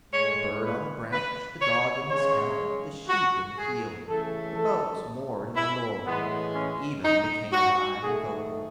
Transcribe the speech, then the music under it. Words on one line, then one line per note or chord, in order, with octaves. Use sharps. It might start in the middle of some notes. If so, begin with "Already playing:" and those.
The bird on the branch, the dog in his kennel, the sheep in the field, the boats moored in the Loire, even, became alive and vocal.
A2 G#3 C#5
B4
B4
C#5
C#3 G#3 C#5
F#4
G#4
C#3 E3 A3 A4
A4
E4
A2 E3 G#3 B3
C#4
D#4
F#4
D#3 A3 G#4